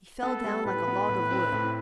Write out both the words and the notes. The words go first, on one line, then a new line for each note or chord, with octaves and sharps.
He fell down like a log of wood.
B3 A4
G3
A2 B4
B3
A2
C4
A2